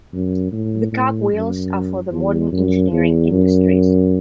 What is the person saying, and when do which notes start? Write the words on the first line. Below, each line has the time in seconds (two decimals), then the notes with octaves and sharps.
The cogwheels are for the modern engineering industries.
0.13 F#2
0.52 A2
0.92 A2
1.33 F#2
2.12 E2
2.52 F#2
2.92 E2
3.32 F#2